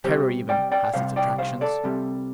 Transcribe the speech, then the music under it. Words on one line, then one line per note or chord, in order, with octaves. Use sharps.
Terror even has its attractions.
C2 C3 G3 G4 C5
D5 G5
D5 G5
C2 C3 G3 C5 F5
D5 G5
C5 F5
A4 D5
C2 C3 G3